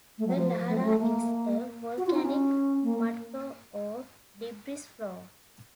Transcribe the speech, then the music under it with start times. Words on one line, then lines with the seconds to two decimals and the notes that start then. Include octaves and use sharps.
A lahar is a volcanic mudflow or debris flow.
0.18 A3
0.27 F#3
0.36 F3
0.68 A3
0.78 F#3
0.84 A3
1.00 A#3
1.98 F#4
2.07 F4
2.14 D#4
2.22 C#4
2.84 A#3